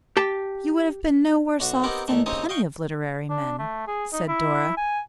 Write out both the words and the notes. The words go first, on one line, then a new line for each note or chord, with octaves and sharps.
'You would have been no worse off than plenty of literary men,' said Dora.
G4 G5 A5
B1 F#4
B3 C4 D#4 G4 A#4
E2 D#3 A3
D#2 C#3 C4 D#4 C#5 D#6
D#5 F5 G5 C#6
D4
A3
G#4
D#4
E4
G#5